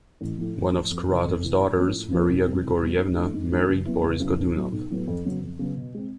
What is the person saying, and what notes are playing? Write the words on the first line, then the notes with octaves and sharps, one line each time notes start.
One of Skuratov's daughters, Maria Grigorievna, married Boris Godunov.
A1
A2 F3
A1
A2 F3
F2
C3 E3
F2
C3 E3
A2
F3 A#3 C#4 F4
A2
F3 A#3 C#4 F4
C2
B2 G3 C4
C2
B2 G3 C4
G#2
E3 A3 D4
G#2
E3 A3 D4
C#2
C#3 F#3 B3 E4
C#2
C#3 F#3 B3 E4
B1
A2 F#3 B3
B1
A2 F#3 B3
F2
C#3 F#3 B3
F2
C#3 F#3 B3
B2
G#3 C4